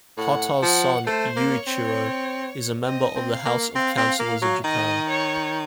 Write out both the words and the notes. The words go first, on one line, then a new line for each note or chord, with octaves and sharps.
Hata's son, Yuichiro, is a member of the House of Councillors of Japan.
A2 F#5
F3 F#5
A3 C5
A#3
C#5
C4
C4 D#5
C4
F5
A#3
C4 F5
C4
A#3
F#3
D#3 D#5
C#5